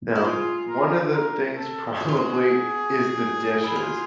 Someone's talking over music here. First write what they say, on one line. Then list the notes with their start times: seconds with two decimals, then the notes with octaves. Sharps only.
n um, one of the things probably is the dishes,
0.15 E4
0.24 F4 G#4
0.68 A#4
1.12 A#4
1.57 A4
2.00 F#4 G#4
2.09 F4
2.17 F#4
3.64 E4
3.76 F4